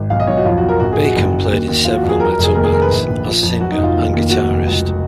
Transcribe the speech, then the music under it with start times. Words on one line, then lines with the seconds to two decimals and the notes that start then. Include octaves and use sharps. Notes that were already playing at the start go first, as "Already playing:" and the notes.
Bacon played in several metal bands, as singer and guitarist.
Already playing: G#1
0.10 B1 F5
0.20 D#5
0.27 B1 C#5
0.37 F#4
0.45 F2 F4
0.57 F#4
0.63 F2
0.69 A#4
0.80 A#1 F#4
0.93 G#4
0.98 A#1
1.04 F#4
1.16 F#1
1.33 F#1
1.50 D#2
1.68 D#2
1.85 F3 F4
1.97 F#4
2.03 F2
2.09 G#4
2.20 F#3 A#4
2.32 A#4
2.38 F1
2.44 G#4
2.55 D#2 A#4
2.64 G#4
2.72 D#2 A#4
2.82 B4
2.91 A#1
3.08 A#1
3.25 F3
3.43 F2
3.60 F#3 F#4
3.72 D#4
3.78 F1
3.83 F4
3.96 D#2
4.13 D#2
4.30 F1 F#4
4.48 F1
4.66 C#2